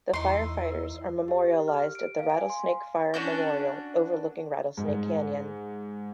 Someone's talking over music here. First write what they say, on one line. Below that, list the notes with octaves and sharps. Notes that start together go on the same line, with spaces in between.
The firefighters are memorialized at the Rattlesnake Fire Memorial overlooking Rattlesnake Canyon.
E2 D#4 E4 C6
G4
G4
F6
D7
F5
G#5
C6
C#4 D4 F#4 G6
G#2